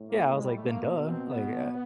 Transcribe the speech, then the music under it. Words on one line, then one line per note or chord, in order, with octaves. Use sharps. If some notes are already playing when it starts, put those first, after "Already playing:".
Yeah. I was like, "Then duh. Like, uh,
Already playing: A2
A#3
G#3
G3
A3
A#3
B2 A#3
C4
B3